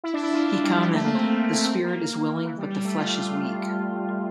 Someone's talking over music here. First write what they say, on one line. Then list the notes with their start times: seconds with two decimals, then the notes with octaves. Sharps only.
He commented: "The spirit is willing, but the flesh is weak".
0.04 E4
0.14 D4
0.23 E4
0.33 F4
0.43 E4
0.64 G3
0.78 F3
0.84 G3
0.94 A3
1.03 A#3
1.14 C4
1.64 C4
1.84 A#3
2.44 E3
2.57 G3
2.70 G3
2.84 A3
2.97 F4